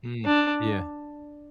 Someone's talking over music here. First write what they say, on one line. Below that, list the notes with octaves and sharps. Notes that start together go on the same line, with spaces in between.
Mm, yeah.
D4